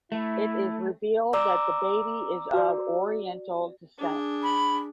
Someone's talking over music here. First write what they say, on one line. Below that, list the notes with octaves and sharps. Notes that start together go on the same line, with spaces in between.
It is revealed that the baby is of oriental descent.
A3 E4
D5 A#5 D6 E6
F#4 D5
D4 G#4
B5